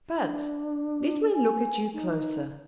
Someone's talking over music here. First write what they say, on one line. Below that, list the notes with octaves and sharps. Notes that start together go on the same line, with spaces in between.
But let me look at you closer.
D4
G#5
D#4